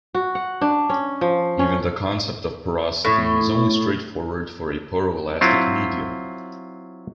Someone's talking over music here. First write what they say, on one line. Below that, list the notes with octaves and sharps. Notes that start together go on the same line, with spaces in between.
Even the concept of porosity is only straightforward for a poroelastic medium.
F#4
F#5
D4
C#4
F3
C#4
A2
F#3 C4 E4 F4